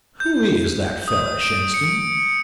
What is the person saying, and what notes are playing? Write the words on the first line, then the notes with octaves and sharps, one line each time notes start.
"Who is that fella, Shenstone?"
G6
D#6
D7
C#7